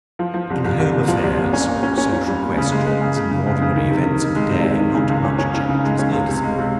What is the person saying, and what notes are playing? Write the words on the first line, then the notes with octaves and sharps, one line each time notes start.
In home affairs, social questions, and the ordinary events of the day not much change was noticeable.
F3
F3
C2
C2
C2
A#2
F3
C2
A#2
C#4
A#2
C#4
C#4
C#4
G3
A#2
C#3
G#3
G#3
C#3
C#3
C#3
C#3
C#3
D#3
C3
D#3
D#3
G#3
C3
C3
D#3
C#3
C#2
C#4
C#4
C#4
C#3
G#3
C#4
C#2
C3
G#3
C3